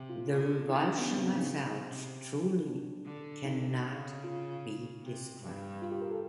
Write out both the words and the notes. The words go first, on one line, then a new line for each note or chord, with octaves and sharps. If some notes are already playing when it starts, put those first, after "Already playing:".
The revulsion I felt truly cannot be described.
Already playing: C3
F4
D3
D#3 E4
D4
C#4
B3
C#3 B3
C4
C#4
D#4
C3
D4
D3
D#4
C#3
F4
C3
G2
F4
G4
A#4
A4